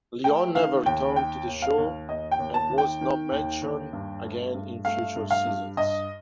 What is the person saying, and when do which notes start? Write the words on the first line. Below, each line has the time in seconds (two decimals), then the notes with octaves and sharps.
Leon never returned to the show and was not mentioned again in future seasons.
0.24 A3 G5
0.55 D#3 F5
0.86 D#2 G5
1.16 D#3 G5
1.47 D#2
1.62 F5
1.78 D#2
2.09 D#2 D#5
2.31 G5
2.39 D#2
2.54 A5
2.70 D#3
2.78 G5
3.01 D#3
3.31 D#2
3.62 D#2
3.93 G2
4.23 A3
4.54 G2
4.85 A3 F5
5.16 G2
5.31 F5
5.46 G2
5.77 G2 D#5